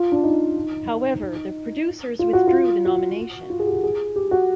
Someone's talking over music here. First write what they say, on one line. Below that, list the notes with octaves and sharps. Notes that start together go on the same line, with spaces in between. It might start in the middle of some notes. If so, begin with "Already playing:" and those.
However, the producers withdrew the nomination.
Already playing: F4
D4
D#4
F4
F#4
F4
F#4
F4
G#4
G4
G#4
G4
F#4